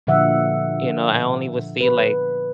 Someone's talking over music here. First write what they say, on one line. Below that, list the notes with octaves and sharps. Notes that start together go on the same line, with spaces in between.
you know, I only would see, like,
A#2 D3 F3 E5 F#5
B4